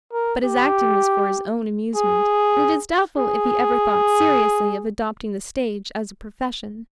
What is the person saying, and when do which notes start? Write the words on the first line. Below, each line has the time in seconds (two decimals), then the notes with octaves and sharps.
But his acting was for his own amusement, and it is doubtful if he ever thought seriously of adopting the stage as a profession.
0.13 A#4
0.44 G4
1.96 G#4
3.18 G#4